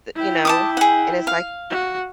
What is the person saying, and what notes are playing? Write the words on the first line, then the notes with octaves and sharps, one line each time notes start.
Th You know? And it's like
E4 G5
A5 D6 D#6
G#4 F#5
F5
F#4